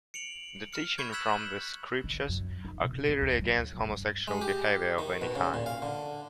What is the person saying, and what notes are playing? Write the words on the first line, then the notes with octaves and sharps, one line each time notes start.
The teaching from the Scriptures are clearly against homosexual behavior of any kind.
C#7 D7 F7 F#7
F6 C#7
B5 C#6 G6 G#6
E6 F#6 G#6 B6 E7 F#7
D#3
F#2
D#4
B2
F2
D2
F#3
G2
G#3
G4
D#3
B2
C#3
A#2
F5
D3